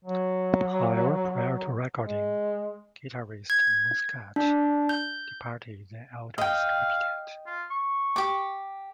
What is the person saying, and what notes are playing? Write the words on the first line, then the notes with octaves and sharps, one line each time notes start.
However, prior to recording, guitarist Muscat departed Adler's Appetite.
F#3
G#3
G#6
D4
G6
D#5 F5 G5
F4
C#6
G4 D6